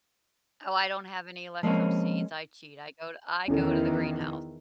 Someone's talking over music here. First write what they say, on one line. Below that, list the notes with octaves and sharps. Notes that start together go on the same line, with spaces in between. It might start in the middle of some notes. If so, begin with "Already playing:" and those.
Oh, I don't have any luck from seeds, I cheat, I go I go to the greenhouse.
F3 G#3 A#3 C4 C#4
E2 D#3 E3 C#4 E4 A4